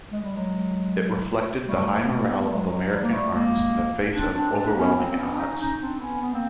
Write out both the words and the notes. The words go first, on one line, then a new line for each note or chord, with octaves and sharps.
It reflected the high morale of American arms in the face of overwhelming odds.
G#3
G3
F#3 G#3
G3 A3
A#3
A3
G#3 A#3
A3 B3
F#3 G#3
F#3 G#3
F3 G3
A#3
G3 A3
G#3 A#3
C4 D4
C4 D4
C4 D4
B3 C#4
A#3 C4
C4
B3 C#4
D4
C#4 D#4
C#4 D#4
C4 D4
B3 C#4
B3
A#3 C4